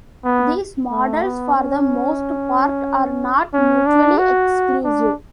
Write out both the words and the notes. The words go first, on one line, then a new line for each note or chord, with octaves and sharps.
These models, for the most part, are not mutually exclusive.
B3
A3
B3
C#4
C#4
D4
F#4
D4